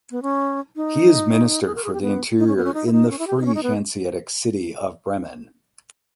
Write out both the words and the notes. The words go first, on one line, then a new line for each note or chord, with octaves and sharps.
He is Minister for the interior in the Free Hanseatic City of Bremen.
B3
C#4
D#4
G4
G#4
A#4
G#4
G4
B3
D#4
C#4
B3
C#4
D#4
E4
D#4
C#4
E4
G4
G#4
D#4
C#4
D#4
B3